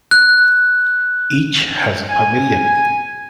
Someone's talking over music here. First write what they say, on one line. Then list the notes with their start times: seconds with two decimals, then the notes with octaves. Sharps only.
Each has a pavilion.
0.11 F#6
2.10 G#5